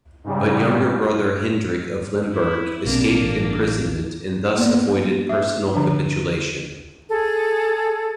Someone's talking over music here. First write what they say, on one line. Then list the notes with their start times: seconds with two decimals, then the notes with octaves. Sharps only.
But younger brother Hendrik of Limburg escaped imprisonment and thus avoided personal capitulation.
0.24 G#2 C#3 G3
2.32 E4
2.85 B1 E3 A#3 C4 D4
3.22 A1
4.57 A#3 B3 D5
5.29 E5
5.74 D3 F3 D4
7.10 G#4 A4